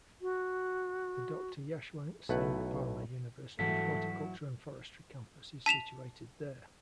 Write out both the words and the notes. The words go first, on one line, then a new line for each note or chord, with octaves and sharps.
The Doctor Yashwant Singh Parmar University of Horticulture and Forestry campus is situated there.
F#4
B1 A3 E4 B4 F#5
G#2 E3 F#3 G3 A3 E4 F#4 B6
A5 B6 E7 F7